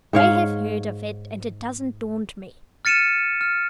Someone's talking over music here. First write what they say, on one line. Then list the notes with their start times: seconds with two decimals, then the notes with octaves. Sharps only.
"I have heard of it--and it doesn't daunt me."
0.13 G#2 C#5 F5
2.85 F6 A6 C#7 D#7 E7
3.41 F6